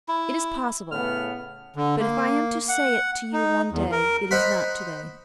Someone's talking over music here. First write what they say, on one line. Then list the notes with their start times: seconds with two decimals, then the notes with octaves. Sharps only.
"It is possible; but if I am to say it to you one day, it is not to-day."
0.08 E4
0.92 A2 C#3 B3 F6
1.76 D3
2.00 A#3
2.69 F#5
3.33 D#4
3.71 E2
3.92 A#4
4.31 D#4 C5 F#5 B5